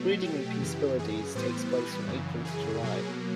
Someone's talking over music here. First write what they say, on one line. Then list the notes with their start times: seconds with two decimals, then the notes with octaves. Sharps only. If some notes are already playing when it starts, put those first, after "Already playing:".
Breeding in "P. spiloides" takes place from April to July.
Already playing: B2 F#3 A3
0.25 G4
0.62 F#2 C#3 E3
0.99 G#4
1.35 A2 E3 G3 B3 C5
1.71 B4
2.07 F#2 C#3 E3
2.45 G#4
2.82 B2 F#3 A#3